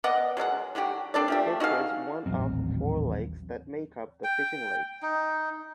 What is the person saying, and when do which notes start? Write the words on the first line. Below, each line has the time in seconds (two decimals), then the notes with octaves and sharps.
It is one of four lakes that make up the Fishing Lakes.
0.04 B3 D5 D#5 F#5
0.37 F#3 G#3 A4 F#5
0.75 D3 F#3 F#4 G4
1.14 C4 D4 A4 D5
1.28 F3 A3 G4
1.60 D#4 F#4 G#4 F5
2.26 D#1 A1 F#3 C4
4.24 G5
5.03 D#4